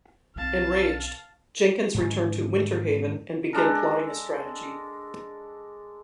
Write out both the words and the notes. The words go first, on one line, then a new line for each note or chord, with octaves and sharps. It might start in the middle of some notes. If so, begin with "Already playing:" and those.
Enraged, Jenkins returned to Winter Haven and began plotting a strategy.
B1 F3 C4 F5 A5
G#2 D3 D#3
G#3 D4 A4 A#4